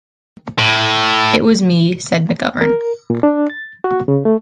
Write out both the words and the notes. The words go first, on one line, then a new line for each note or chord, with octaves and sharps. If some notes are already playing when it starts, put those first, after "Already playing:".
"It was me," said McGovern.
A2
A#4
A#2
D4
A6
F#4
C#3
A3